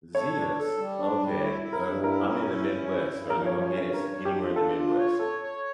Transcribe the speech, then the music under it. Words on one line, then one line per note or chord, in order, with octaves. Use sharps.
Zea’s? Okay, uh I'm in the Midwest. Are they located s anywhere in the Midwest?
A4 C#5
D4
A4
G3
D4
G3
E4 C#5
E4
A#4
G2
E4 A#4
C#4
E4
C#4
E4
G2
F3 A#4
C#5
C#4
C#5
G2
C#5
A#4 C#5
D4
G4
F4
D4 A4
F4
C#5
A4 C#5
C#5